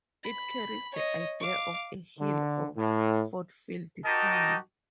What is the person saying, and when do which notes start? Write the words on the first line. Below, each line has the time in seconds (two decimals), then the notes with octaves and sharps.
It carries the idea of a hill or fortified town.
0.24 B5
0.92 C#5 D#5
1.40 F5 D6
2.18 D3
2.77 A2
4.05 D#4 F#4 G4 A#4 D#5 A5